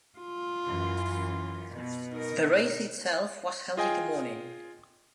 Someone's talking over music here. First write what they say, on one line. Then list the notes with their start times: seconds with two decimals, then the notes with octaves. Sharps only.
The race itself was held in the morning.
0.19 F4
0.66 F#2 E3
1.73 B2
2.12 D#4 A#4
3.77 F4 G#4 D#5 G5 G#5